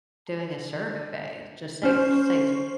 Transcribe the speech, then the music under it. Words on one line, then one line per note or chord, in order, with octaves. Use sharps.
doing a survey, just say say
C#4 C5